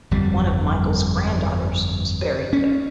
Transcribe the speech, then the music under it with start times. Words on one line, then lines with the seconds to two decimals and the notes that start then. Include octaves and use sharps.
One of Michael’s granddaughters was buried there.
0.11 G1 F2 G3
2.53 C#4